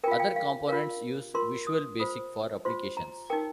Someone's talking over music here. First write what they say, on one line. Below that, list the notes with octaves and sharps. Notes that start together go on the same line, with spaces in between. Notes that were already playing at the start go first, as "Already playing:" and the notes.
Other components use Visual Basic for Applications.
F4 A#4 F5 G5
G5
F5
F4 A#4 F5
F4 A#4 C6
D#6
F4 C5 D#6
F4 C5 C6
A#5
D#4 A#4 G5